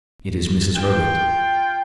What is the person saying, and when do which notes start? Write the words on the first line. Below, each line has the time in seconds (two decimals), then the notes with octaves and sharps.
"It is Mrs. Herbert."
0.77 F4 G5